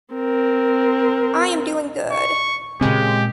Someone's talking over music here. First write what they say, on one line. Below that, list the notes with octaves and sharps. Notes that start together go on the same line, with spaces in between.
I am doing good.
C4 A#4
C#6
A#2 C#3 G#3 C4 G4